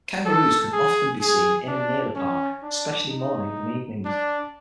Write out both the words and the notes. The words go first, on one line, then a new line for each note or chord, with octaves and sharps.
Kangaroos can often be seen in and near the park, especially mornings and evenings.
A4
G#4
G#4
D4
C#4
D4
D#4
D4